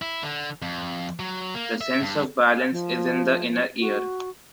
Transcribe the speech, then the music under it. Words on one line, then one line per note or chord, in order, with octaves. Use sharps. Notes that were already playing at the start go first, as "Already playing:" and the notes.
The sense of balance is in the inner ear.
E4
D3
F2
F#3
A#3
E5
G2
F3
F#4